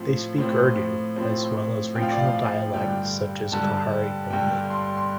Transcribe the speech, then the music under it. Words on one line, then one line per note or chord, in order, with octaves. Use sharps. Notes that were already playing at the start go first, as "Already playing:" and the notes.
They speak Urdu, as well as regional dialects such as Khari boli.
Already playing: A2 F3 C4
A2 F3 C4
A2 F3 C4
A2 F3 C4 G5
F5
D5
F5
G2 D3 G3 G5
G2 D3 G3 A5
G2 D3 G3 G5
C6
C6